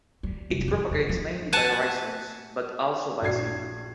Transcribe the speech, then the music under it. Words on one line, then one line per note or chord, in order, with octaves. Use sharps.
It propagates mainly by rhizomes, but also by seed.
G3
F1
F2
C#3
F3
F#5 G#5 A5
A#1 D4 F#4 G#6 C7